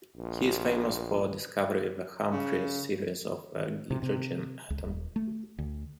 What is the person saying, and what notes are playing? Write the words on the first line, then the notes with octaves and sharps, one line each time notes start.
He is famous for discovering the Humphreys series of the hydrogen atom.
A#1
C#3
C3
C3
C#2
D#1
A3
D2